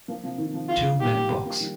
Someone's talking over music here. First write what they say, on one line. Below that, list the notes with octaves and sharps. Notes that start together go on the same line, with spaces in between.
Two men box.
F3 A#3
C3 F3
D#3
C3 F3
F4
D#3 G3 G4
F3 A#3
F3 A#3
F3 A#3
D#3 G3